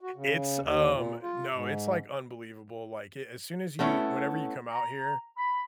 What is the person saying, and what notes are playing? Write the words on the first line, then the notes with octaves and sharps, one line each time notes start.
It's, um, no, it's, like, unbelievable. Like, as soon as you whenever you come out here
F#4
C#3
D#2
A#2
F4
G#2
A3 B3 C#4 E4
A#5
B5